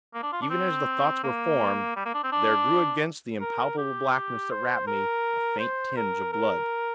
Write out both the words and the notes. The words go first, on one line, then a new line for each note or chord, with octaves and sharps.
Even as the thoughts were formed, there grew against the impalpable blackness that wrapped me a faint tinge of blood.
A#3
D4
F4
D4
C4
A#3
G3
A#3
D4
C4
D4
A#4
G4
C5
A#4
C5
A#4
A#4